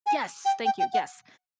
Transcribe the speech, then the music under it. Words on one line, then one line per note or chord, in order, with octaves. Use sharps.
Yes, thank you, yes,
G#5
G5
G5
G5
F#5